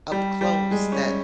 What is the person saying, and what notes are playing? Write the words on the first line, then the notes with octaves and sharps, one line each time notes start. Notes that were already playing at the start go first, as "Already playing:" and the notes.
up close that
G3
G3
G#3
C#4